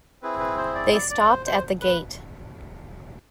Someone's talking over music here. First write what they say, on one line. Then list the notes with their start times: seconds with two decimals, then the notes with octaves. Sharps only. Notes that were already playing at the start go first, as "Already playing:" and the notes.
They stopped at the gate.
0.22 C4 E4 G#4 B4
0.39 B4
0.57 C5
0.75 D5
0.93 D5
1.10 D5
1.29 C5
1.46 C5
1.82 B4